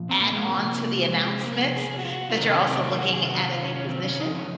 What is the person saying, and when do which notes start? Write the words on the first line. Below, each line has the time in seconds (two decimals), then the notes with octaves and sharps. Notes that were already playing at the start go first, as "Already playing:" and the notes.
add on to the announcements that you're also looking at a new position?
Already playing: A#2 F3
0.09 C4
0.21 A#3
0.32 G#3
0.44 A#3
0.55 C3 F3
1.01 G#3
1.41 C4
1.46 A#3
1.77 G#4
1.91 G#4
1.99 F#4
2.05 F4
2.13 F#4
2.30 F4
2.37 C3 D#3 F#3 D#4
2.53 C#4
2.68 C4
2.83 A#3
2.98 F#4
3.14 G#4
3.23 F4
3.28 F#4
3.40 F#4
3.51 F4
3.63 C#4
3.74 C#4
3.89 C4
4.04 C#4
4.20 C#3 F3 D#4
4.35 C#4